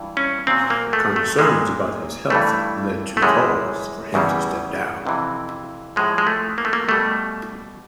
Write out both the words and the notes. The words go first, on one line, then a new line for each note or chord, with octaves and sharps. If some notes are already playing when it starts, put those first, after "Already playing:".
Concerns about his health led to calls for him to step down.
Already playing: G2 E3
C#4
A#2 F#3 C4
A#3
A3
A3
A#2 G3 G#3
G2 E3 G3 A3
A3
F#2 C#3 E3 G3 G#3
E2 C#3 E3 G3
F2 C3 E3
A2 F3 G#3
G#3
A3
A#3
A3
A#3
B2 G3 A3